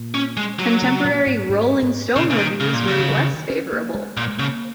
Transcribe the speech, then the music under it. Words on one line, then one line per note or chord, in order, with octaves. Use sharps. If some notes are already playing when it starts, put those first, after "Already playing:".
Contemporary "Rolling Stone" reviews were less favorable.
Already playing: A#2
C#4
G#3
F#3
C#3
A#2
G#2
G#2
G#2
A#2 C#3
C#3
D#3
C#3
A#2
C#3 F#3
D#3
F#3
D#3
D#3
C#4
A#3
G#3
A#2 A#3
G#3
C#3 A#3